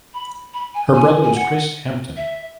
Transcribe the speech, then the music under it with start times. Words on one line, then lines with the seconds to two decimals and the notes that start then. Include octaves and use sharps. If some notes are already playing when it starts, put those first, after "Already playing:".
Her Brother is Chris Hampton.
0.13 B5
0.53 B5
0.74 G#5
0.94 G#5
1.23 G#5
1.35 F#5
2.16 E5